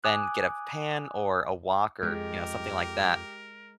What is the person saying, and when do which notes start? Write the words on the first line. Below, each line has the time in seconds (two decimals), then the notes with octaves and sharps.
then get a pan or a wok or, you know, something like that,
0.04 G#5 D6 D#6 F#6
2.02 F2 G#3 G4 A#4